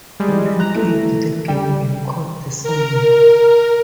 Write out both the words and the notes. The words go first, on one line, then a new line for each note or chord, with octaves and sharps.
The men killed the game and caught the salmon.
G3 G#3
A#5 F#6
E3 A3
G3 G5
A#4